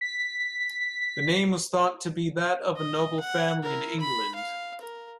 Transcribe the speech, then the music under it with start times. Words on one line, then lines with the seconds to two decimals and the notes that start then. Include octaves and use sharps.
The name was thought to be that of a noble family in England.
0.01 B6
2.76 D#5
3.20 F#5
3.63 E4 A#4
4.00 B5
4.35 F5
4.81 A#4